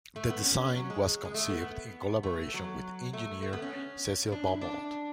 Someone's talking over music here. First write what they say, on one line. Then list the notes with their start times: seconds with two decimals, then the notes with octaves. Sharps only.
The design was conceived in collaboration with engineer Cecil Balmond.
0.16 A3
0.30 B3
0.45 C#4
0.75 F#3
0.90 G#3
1.25 G#3
1.34 A3
1.49 B3
2.23 A3
2.54 F#3
3.13 A3
3.43 A3
3.53 B3
3.62 C#4
4.32 D4
4.47 E4
4.61 D4